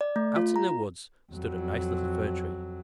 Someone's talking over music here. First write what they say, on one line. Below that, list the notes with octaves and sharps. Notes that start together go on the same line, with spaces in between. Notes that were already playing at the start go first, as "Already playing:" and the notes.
Out in the woods stood a nice little Fir Tree.
D5
A3
F4
A#5
F2 F#3